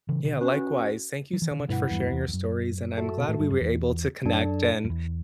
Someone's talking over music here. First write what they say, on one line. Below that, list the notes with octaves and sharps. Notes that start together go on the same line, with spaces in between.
Yeah, likewise. Thank you so much for sharing your stories, and I'm glad we were able to connect and
C#3 E3
B2 D3
C#4 F#4 B4
F#3
E3
D3
C#3
G2 B2 B3 E4 B4 F#5
E2 G2
F#2
E2
E2
F#2
F#4 A4 E5 A5
B2
A2
G2
F#2
E2
F#2 D4 A4 D5 A5
F#2
E2